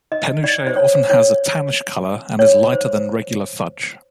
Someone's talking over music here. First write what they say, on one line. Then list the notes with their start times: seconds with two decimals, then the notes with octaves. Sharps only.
Penuche often has a tannish color, and is lighter than regular fudge.
0.12 D#5
0.44 D5
0.67 C5
0.76 C#5
1.10 C#5
2.39 C#5
2.73 C5